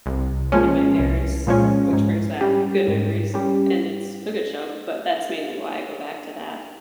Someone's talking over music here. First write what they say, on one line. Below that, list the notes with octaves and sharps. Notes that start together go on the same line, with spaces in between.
like my parents, which brings back good memories, and it's a good show, but that's mainly why I go back to that.
C2
A#2 F3 G#3 C#4
C2
A#2 F3 G#3 C#4
G#2
G3 C#4 G4
G#2
G3 C#4 G4